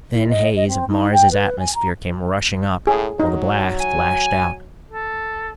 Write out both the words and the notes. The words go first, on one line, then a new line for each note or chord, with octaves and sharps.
The thin haze of Mars' atmosphere came rushing up, while the blast lashed out.
E4
D#5
D#5
C4
D#4
G5
B4
G#5
A#5
A2 G#4
F#3 D#4
G#5
A4